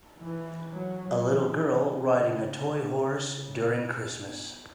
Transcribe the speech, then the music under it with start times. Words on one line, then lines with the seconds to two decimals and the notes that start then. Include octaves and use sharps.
A little girl riding a toy horse during Christmas.
0.20 E3
0.73 F#3
1.26 E3
1.79 C#3
2.85 C#3
3.91 B2